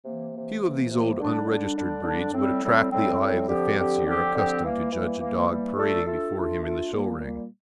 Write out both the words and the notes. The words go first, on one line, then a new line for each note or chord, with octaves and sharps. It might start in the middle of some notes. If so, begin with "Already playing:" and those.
Few of these old unregistered breeds would attract the eye of the fancier accustomed to judge a dog parading before him in the show ring.
C3 E3 A#3
C3 E3 A#3
C3 E3 A#3
C3 E3 A#3
D3 G3 D4
D3 G3 D4
D3 G3 D4
D3 G3 D4
A2 G3 C4
A2 G3 C4
A2 G3 C4
A2 G3 C4
D3 F3 C4 G4
D3 F3 C4 G4
D3 F3 C4 G4
D3 F3 C4 G4
E3 G3 A#3
E3 G3 A#3
E3 G3 A#3
E3 G3 A#3
A3 D4 F4 A4
A3 D4 F4 A4
A3 D4 F4 A4
A3 D4 F4 A4
A#2 G3 A#3
A#2 G3 A#3